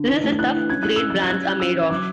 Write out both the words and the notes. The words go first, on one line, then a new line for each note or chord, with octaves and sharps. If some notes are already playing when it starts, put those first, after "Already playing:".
This is the stuff great brands are made of.
Already playing: D3
E3
A3
E4 F#6
E3
C#4 G#6
E4 F#6
C#4 E6
F#3 F#6
G#6
C#4 F#6
E4
C#4 E6
E3
F#3 D6